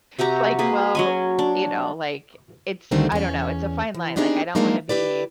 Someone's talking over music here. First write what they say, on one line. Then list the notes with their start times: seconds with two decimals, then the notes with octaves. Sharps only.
It's like well, you know, like, it's, I don't know, it's a fine line. Like I don't want to be
0.19 C3 F#4 G4 A#5
0.59 A#3 G#4 B4
0.95 F#3 C#4 G#5
1.39 D4
2.91 D2 D3 D#3 G3 A3 C4
3.12 E2 C#4
3.94 E3
4.16 B3 C4 D4 D#4 G4 G#4
4.55 F3 F#3 G#3 A#3 D4 D#4
4.89 E4 G4 B4 D5